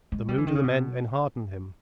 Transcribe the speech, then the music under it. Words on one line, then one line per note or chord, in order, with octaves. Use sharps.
The mood of the men enheartened him.
G#3
G3
E3
D#3
C#3
B2